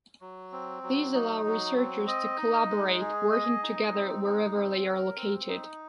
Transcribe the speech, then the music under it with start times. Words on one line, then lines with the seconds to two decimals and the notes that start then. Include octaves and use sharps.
These allow researchers to collaborate, working together wherever they are located.
0.21 F#3
0.52 C4
0.83 F#3
1.14 D#4
1.46 F#3
1.76 C4
2.07 D#5
2.38 D#4
2.69 G#3
3.00 G#4
3.32 D#5
3.63 D#4
3.93 C4
4.24 D#4
4.54 C4
4.86 A#4
5.16 C4
5.48 D#4